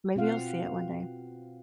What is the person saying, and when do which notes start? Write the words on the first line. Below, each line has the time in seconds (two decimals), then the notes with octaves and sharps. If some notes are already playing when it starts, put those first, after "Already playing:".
Maybe you'll see it one day.
0.16 B2 C4 F4 F5 F#5